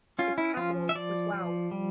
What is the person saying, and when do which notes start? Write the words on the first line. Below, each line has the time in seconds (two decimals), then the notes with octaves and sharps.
Its capital was Wau.
0.19 C#4 F4
0.38 E4
0.57 F3 F4
0.89 E5
0.95 F3 D5
1.34 F3
1.71 G3